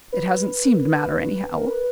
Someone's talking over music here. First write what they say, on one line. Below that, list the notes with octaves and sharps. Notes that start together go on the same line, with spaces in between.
"It hasn't seemed to matter, anyhow."
B4
A#4
B4
A#4
B4